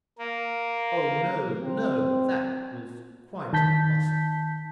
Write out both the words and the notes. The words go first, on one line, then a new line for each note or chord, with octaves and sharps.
Oh, no, no; that was quite impossible.
A#3
C4
D#3 A5 G6 B6